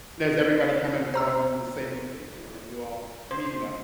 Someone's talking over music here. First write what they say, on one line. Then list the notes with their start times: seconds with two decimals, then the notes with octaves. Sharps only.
Now, is everybody coming from the same location, or are you all meeting up?
1.14 C5 A#5 E6
3.31 C5